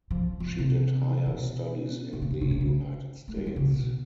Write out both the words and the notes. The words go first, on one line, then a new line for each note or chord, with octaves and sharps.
She did higher studies in the United States.
F3
F3
C3
B2
B2
C3
D3
C#3
C3
C#3
A3
G3
F#3
C#3
B2